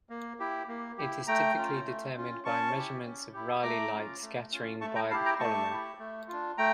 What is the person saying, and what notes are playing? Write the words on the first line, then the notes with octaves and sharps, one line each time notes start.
It is typically determined by measurements of Rayleigh light scattering by the polymer.
A#3
E4 G4
A#3
E4 G4
A3 G5 A#5
C#4 F4
A3
C#4 F4
C#4 A5 C#6
E4 G4
C#4
E4 G4
A3 A#5 D6
C#4 F4
A3
C#4 F4
A3 A5 C#6
G5 A#5
E4 G4 F5 A5
G5 A#5
A3 A5 C#6
E4 G4
A3
D4 F4
A3 G5 A#5